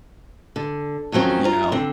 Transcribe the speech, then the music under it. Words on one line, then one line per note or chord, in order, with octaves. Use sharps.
you know,
D3
F2 D#3 F#3 C4 C#4
F4 A#5
D3 C4